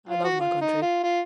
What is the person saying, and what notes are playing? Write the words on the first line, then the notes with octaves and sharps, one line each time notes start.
I love my country.
F4
F#4
F4
D#4
F4
F4